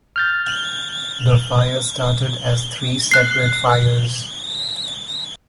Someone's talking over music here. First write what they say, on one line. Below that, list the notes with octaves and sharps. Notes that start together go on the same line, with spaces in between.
The fire started as three separate fires.
F6 G6 A6
F#6 C7